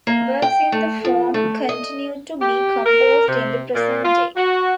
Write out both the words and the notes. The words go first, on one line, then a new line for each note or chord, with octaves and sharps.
Works in the form continue to be composed in the present day.
A#3
G5
A3
F3
A3
D#5
G4
A#4
C3
A#2
F4
F#4